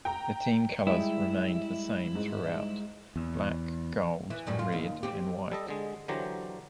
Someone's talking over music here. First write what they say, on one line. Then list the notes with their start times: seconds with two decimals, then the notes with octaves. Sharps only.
The team colours remained the same throughout; black, gold, red and white.
0.05 G5 A#5
0.87 G3 G#3 E4
2.15 G#2
3.16 E2
4.30 E3
4.47 F#2 A2 G3
4.59 F4
4.72 D#2
5.03 C4 G4
5.52 G3 A4 D#5
5.68 D3 G#3
6.08 D3 E3 F#3 G4 C5 A#5